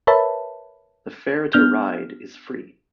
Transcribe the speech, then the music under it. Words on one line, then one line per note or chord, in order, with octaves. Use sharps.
The fare to ride is free.
A#4 B4 C#5 E5 A5 B5
B3 D4 F6 G6